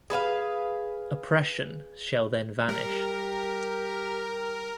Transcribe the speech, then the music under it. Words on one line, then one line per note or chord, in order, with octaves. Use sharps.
Oppression shall then vanish.
G#4 B4 E5 F5
G3 G4 A#4